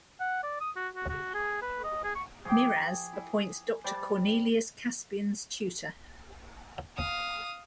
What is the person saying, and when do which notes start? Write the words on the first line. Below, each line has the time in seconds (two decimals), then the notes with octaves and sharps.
Miraz appoints Doctor Cornelius Caspian's tutor.
0.20 F#5
0.43 D5
0.60 D#6
0.76 F#4
0.95 F#4
1.09 F#4
1.34 G#4
1.62 B4
1.84 D#5
2.04 G#4
2.15 C#6
2.45 F3 G#4 G5 D6
3.13 E4
3.84 G3 C5 D5 A5
6.96 F5 D#6